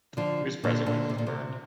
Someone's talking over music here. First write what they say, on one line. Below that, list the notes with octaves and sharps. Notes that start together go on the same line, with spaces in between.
He was present when it was burned.
D3 F3
A#2 D3
A#2 D3
C3
A#2
C3